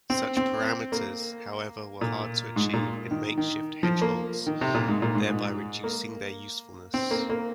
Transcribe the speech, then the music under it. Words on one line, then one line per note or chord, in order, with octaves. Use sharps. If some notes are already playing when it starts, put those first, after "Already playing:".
Such parameters, however were hard to achieve in makeshift hedgehogs, thereby reducing their usefulness.
C4
C4
A#3
A#2
G#2
A#2
D#3
D#3
F3
A#3
D#3
C3
A#2
G#2
A#2
G#2
G#2
A#3
C4
A#3
A#3